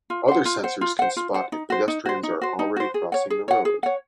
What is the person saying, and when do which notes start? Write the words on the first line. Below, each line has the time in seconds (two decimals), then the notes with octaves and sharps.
Other sensors can spot if pedestrians are already crossing the road.
0.10 F4
0.28 C5 F#5
0.45 F4
0.64 C5 F#5
0.81 F4
0.99 C5 F#5
1.16 F4
1.34 C5 F#5
1.52 D#4
1.70 F#4 C5
1.88 D#4
2.06 F#4 C5
2.23 D#4
2.41 F#4 C5
2.59 D#4
2.76 F#4 C5
2.94 G#4
3.12 C#5 F#5
3.30 G#4
3.48 C#5 F#5
3.65 G#4
3.83 C#5 F#5